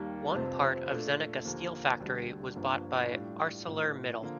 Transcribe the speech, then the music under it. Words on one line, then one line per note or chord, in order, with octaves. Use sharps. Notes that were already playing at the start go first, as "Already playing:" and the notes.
One part of Zenica steel factory was bought by Arcelor Mittal.
Already playing: D#2 D#3 G3 A#3
F1 F2 C3 F3 C4
A#2 A3 D4
D#2 D3 F3 A#3
D2 D3 G3 D4
G1 G2 F3 A#3 D4
A2 G3 D4 F4
A1 A2 F3
D3 F3 A#3